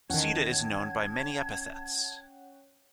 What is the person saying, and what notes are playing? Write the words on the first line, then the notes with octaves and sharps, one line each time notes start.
Sita is known by many epithets.
E2 D#3 C#4 F#5 G5 A5 G#6